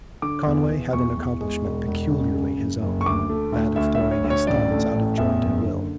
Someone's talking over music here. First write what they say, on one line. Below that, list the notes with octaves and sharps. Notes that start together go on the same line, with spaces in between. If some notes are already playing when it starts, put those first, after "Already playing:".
Conway had an accomplishment peculiarly his own--that of throwing his thumbs out of joint at will.
D3 D6
E2
E2
E2 C#6
E2
G#3
E1
E1
C#3
C#3
F#1
F#1
C#6
D2 D6
A3
D2
D2 E5
E5
D2
C#5
D2
C#5
A1 D5
A3
A1
E2 E5
F#1
D3